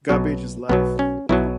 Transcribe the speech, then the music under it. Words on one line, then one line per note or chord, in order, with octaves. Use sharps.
Garbage is life.
B1 B2 F#3
B1 B2 F#3 B3
C#4
B1 B2 F#3 E4